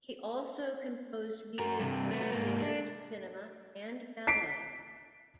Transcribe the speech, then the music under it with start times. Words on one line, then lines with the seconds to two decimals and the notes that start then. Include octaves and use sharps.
He also composed music for the theatre, cinema and ballet.
1.59 F#4 A#4
1.79 G2 C3
2.11 A3 B3
2.32 G#2 A#3
2.61 D4
4.27 B6 C7 D7